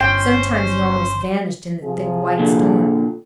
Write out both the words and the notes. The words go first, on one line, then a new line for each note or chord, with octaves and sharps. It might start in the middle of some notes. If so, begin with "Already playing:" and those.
Sometimes he almost vanished in the thick white storm.
G1 C#4 C5 G5
C3 F3 G#4
A#2 D3